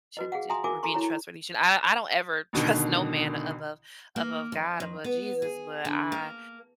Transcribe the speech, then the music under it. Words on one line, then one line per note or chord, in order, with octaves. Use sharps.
should j your being trustworthy should I I don't ever trust no man above above God, above Jesus. But I
F#4 B4 D#5
G#4 F5 F#5
E5 G#5 A#5 C6 D#6
F#4 A#4 E5 G#5 D6
A4 G#5 A#5 C6 C#6
E4 C#5 A#5
A1 B2 D3 D#3
A#3
F2
F2
B3
G#4
D3
A#3